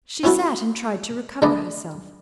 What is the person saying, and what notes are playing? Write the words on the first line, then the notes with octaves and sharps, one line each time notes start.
She sat, and tried to recover herself.
C4 C#4 E4 F#4 A4
D3 G#3 A3 B4 D5 D#5